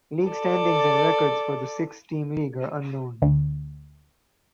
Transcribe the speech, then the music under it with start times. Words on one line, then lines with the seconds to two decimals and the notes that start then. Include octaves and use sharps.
League standings and records for the six–team league are unknown.
0.28 A4 D5
3.22 D2